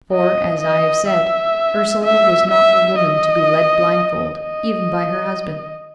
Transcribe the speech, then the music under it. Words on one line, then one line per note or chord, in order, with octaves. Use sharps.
For, as I have said, Ursula was not a woman to be led blindfold, even by her husband.
D#5
D#5
E5
E5
E5
D#5
D#5